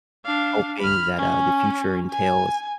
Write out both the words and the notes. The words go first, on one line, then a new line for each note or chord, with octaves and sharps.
hoping that, uh, the future entails,
D4 F5
B5 F6
C#4
G#5